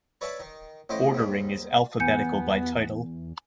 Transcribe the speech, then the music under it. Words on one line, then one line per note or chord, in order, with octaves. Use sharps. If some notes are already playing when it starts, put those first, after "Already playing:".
Ordering is alphabetical by title.
B4 C#5 D5 E5 F#5 A5
D#3
A1 A2 C5 D#5 D6
D#2 G#2 G3
E2 B3 G#5 G6 C#7